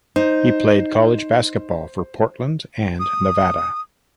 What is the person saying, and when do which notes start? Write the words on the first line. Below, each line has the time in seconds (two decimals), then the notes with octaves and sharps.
He played college basketball for Portland and Nevada.
0.16 D#4 C5
3.00 D#6